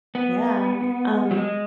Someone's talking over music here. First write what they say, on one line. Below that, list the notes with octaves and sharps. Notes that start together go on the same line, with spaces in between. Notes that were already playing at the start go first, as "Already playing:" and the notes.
Yeah, um,
B3
F#3
G#3